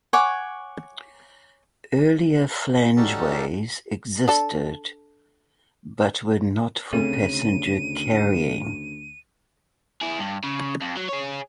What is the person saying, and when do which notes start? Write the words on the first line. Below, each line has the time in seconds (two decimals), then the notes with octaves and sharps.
Earlier flangeways existed, but were not for passenger carrying.
0.13 C#5 F#5 G#5 D6
2.96 C#4 D#4 F#4 G4 A4 D5
4.28 D4 A4 A5
6.93 D2 C#3 A3 C4 A4 D#7
10.02 E4 G#4
10.19 G2
10.44 C#3
10.82 F2
10.97 F#3
11.09 G#4 C#5